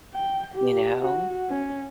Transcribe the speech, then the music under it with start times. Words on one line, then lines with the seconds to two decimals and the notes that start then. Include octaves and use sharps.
you know?
0.15 G5
0.55 G4
0.99 F#4
1.49 C#4